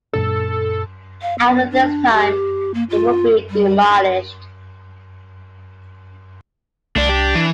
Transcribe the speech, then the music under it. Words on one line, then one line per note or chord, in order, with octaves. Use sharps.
After this time, it would be demolished.
F#2 A#2 D4 A4
F5
B3
D4
G4
A#3
F4
G3
C2 A3 D4 D5
G4
E3